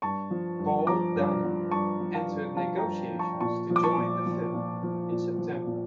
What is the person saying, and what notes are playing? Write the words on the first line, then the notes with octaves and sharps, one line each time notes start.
Paul Dano entered negotiations to join the film in September.
G2 A5 C#6
F3
G2
F3 A#5 D6
G2
F3
G2 A5 C#6
F3
F5 A5
G2
F3 F5 A5
G5 A#5
G2
F3
A5 C#6
A#2 A5 C#6
F3
D6
A5 C#6
A#2
F3
A#2
F3
A#2
F3
A#2